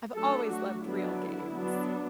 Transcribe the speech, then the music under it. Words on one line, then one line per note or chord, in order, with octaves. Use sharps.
I've always loved real games.
F#3 A3 D4 A4
F#4
D3 F#3 B3 D4 E4
F#3 B3 D4